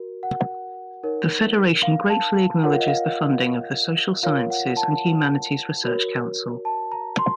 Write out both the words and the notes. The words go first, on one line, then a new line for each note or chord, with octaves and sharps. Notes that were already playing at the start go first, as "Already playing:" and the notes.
The Federation gratefully acknowledges the funding of the Social Sciences and Humanities Research Council.
Already playing: F#4 A#4
F#5
D#4 A#4 C#5
F5
A5
F4 A#4 C#5 F#5
F5
D#5
F5
F4 A#4 C#5 F5
F#5
A5
F#4 A#4 C#5
A5
A#5
C6